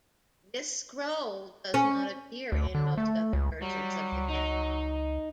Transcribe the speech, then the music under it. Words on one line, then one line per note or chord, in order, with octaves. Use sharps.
This scroll does not appear in most other versions of the game.
C#4
D2
D3
A3
C#2
F#3 G3
C#2
D#4